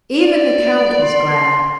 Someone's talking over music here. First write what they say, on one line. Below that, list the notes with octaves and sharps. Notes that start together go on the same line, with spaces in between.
Even the Count was glad.
D5
C6